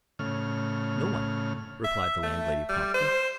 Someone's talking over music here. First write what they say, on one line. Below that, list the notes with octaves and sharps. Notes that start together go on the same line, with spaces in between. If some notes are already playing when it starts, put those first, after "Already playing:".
"No one," replied the landlady promptly.
A2 C#3 F6
E5
A3
G3
C5